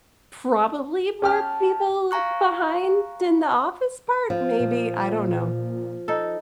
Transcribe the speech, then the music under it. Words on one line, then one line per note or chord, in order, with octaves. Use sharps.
Probably more people behind in the office part, maybe, I don't know.
C#4 G4 A5 F6
F5 G#5 A#5 C#6 F#6
F3
A#2
D#4 A4